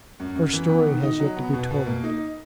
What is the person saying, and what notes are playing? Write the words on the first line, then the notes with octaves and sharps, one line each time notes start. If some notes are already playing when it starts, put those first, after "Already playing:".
Her story has yet to be told.
F#2
F#2
E3
B3
D#3
D#4
F#3
B3
B2
B2
A#3
D#4